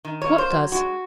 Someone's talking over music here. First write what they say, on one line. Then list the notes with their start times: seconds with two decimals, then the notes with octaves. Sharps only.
"What does?"
0.05 D#3
0.22 A#3 C#5
0.38 C5
0.50 F#3
0.72 G#3 F#4